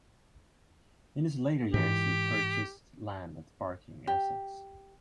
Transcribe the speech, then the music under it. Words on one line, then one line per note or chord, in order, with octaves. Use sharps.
In his later years he purchased land at Barking, Essex.
G#2 E3 G4
G4